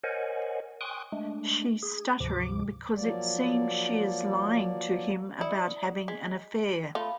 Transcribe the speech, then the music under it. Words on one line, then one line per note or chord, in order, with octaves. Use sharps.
She's "stuttering" because it seems she is lying to him about having an affair.
A#4 C5 C#5 D#5 F#5 G#5
G5 G#5 C6 C#6 D#6 F#6
G#3 A3 D4
G#4
D2 G#2 C3 F3 D6
F3 F#3 A#3 D5
E4 D5 D#6 C#7
G#3 B6
A3 F4 F5 B5